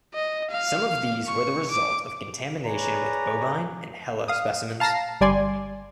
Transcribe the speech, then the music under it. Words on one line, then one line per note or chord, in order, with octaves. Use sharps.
Some of these were the result of contamination with bovine and HeLa specimens.
D#5
F5
C#6
D6
G#4 B4 C#5 D5 G#5 A#5
F5 D#6
F5 A5 A#5 A#6 C7
G1 G3 D5 G#5 C6